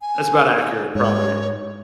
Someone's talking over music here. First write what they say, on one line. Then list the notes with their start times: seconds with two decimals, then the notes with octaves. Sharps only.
that's about accurate, probably.
0.02 G#5
0.55 D#4
0.95 G#2 C#5